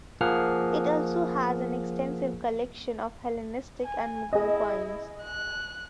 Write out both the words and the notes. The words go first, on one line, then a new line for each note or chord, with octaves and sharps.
It also has an extensive collection of Hellenistic and Mughal coins.
F3 A#3 G#4 F#5 F6
G#5
E4 G#4 D#5
F#6